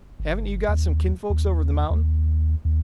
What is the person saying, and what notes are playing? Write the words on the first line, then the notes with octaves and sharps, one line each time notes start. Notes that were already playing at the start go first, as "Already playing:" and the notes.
"Haven't you got some kinfolks over the mountain?"
G1
D#2
D#2
D#2
D#2